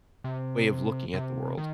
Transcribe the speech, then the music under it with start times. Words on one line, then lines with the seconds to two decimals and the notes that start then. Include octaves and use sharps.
way of looking at the world
0.24 C3
1.14 C3
1.58 D#3